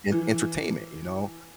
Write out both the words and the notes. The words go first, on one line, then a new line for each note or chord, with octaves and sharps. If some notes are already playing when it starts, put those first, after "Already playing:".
en entertainment, you know?
E3